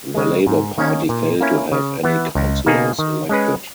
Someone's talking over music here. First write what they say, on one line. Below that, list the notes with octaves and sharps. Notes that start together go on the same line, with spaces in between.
The Labour Party failed to have any councillors elected.
C#3 G#3
G#2
D#3 A#3 C#4
A#2
A#3 C#4 E4
C#3
E3 B3
C#2
B2 A#3 D#4 G#4
D#3
G#3 C#4 G#4 B4